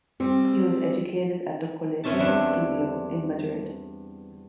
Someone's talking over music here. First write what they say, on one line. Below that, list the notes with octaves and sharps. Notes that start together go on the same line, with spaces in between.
He was educated at the "Colegio Estudio" in Madrid.
G3 C4
F#2 C4 C#4 E5 A5
E2 G2 D4